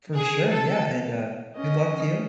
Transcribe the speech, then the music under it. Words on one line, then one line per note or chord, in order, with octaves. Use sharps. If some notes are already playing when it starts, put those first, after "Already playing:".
For sure, yeah and, uh, good luck to you.
G#4
A4
C#4 D#5